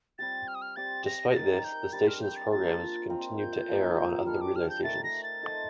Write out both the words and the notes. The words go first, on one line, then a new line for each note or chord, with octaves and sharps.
Despite this, The station's programs continued to air on other relay stations.
G3 C4 G4 A6
F6
D#6
F6
C4 G4 D5 A6
A#6
A#6
D#4 A#4 D5 A6
G6
G3 D4 G4 C5 A6
F6
G6
A6
A#3 D4 F4 A6
C4 F4 A#4 D#5
G6
F3 A#3 D#4
G3 D4 A4 F6
D6
F6
G6
A3 D#4 A#4 D5 A6
A#6
A6
D#4 A4 C5 D#5